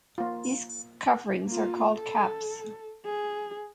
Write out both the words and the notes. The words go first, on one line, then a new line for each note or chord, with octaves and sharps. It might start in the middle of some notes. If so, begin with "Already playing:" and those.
These coverings are called "caps".
A#3 F4
A#3 F4
A4
G#4